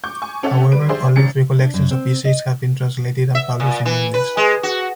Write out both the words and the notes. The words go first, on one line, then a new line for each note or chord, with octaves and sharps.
However only three collections of essays have been translated and published in English.
C#6 D6 G6
G#5 C#6
C4 C#4 A4 C#5 E5 F#5
G3 B4 D7
D4 G4 G#4 C5 E5 C6
G#1 C#4 A6 C#7
D4
F#2
C4
D#5
E5
A#2
E3
B4
G#3
F#4